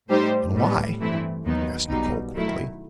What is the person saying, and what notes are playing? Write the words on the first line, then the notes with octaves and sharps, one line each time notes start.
"And why?" asked Nicholl quickly.
A2 G3 D#4 G4 C5
A2 G3 B3
G2 E3 A3 C4 E4
D#2 D#3 F#3 B3 D#4
B1 B2 G3 D#4
D#3 F#3 A3 E4